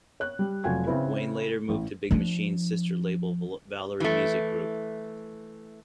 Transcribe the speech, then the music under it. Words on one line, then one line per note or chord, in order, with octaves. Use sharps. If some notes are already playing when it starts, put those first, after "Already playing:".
Wayne later moved to Big Machine's sister label, Valory Music Group.
C#5 F#6
G3
F1 F#3 F4 G#5 G#6
C#3 C4 E4 B4
A1
F3 D4
E3 A3